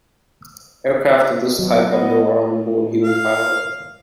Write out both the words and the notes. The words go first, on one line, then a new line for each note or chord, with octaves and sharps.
Aircraft of this type have no onboard human pilot.
B2 F#3
B3 D#5
F5